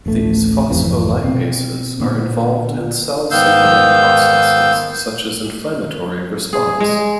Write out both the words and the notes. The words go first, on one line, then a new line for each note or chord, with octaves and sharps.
These phospholipases are involved in cell signaling processes, such as inflammatory response.
A1 D2 A3
G#1 F2 C3 E3
B2 C4
A#2 D3 B3
G#2 D#3 B3 F5 E6 G6
G#4
G#3